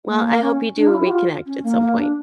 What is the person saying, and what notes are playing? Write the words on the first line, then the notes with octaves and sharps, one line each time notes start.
Well, I hope you do reconnect at some point,
A#3
A#3
C#4
D4
F4
E4
G4
F4
C#4
A#3
A#3
D4